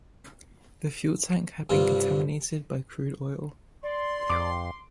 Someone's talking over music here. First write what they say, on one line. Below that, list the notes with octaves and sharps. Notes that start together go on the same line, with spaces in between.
The fuel tank had been contaminated by crude oil.
C2 G2 G3 F4
D5 C6
F2 D6